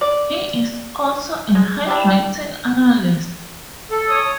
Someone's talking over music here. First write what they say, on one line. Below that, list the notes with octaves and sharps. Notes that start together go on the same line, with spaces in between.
He is also a handwriting analyst.
D5
G#3
D4 E4 G4
A4
C#5 D#6